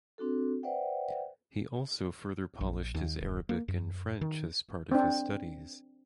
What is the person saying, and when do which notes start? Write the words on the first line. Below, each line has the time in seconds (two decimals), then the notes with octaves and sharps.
He also further polished his Arabic and French as part of his studies.
0.18 C4 D4 F#4 A4
0.63 B4 C5 D5 E5 F#5 G5
2.61 A#1
2.94 D#2
3.21 D1
3.49 A#3
3.68 F#2
4.21 D#3
4.91 C4 D4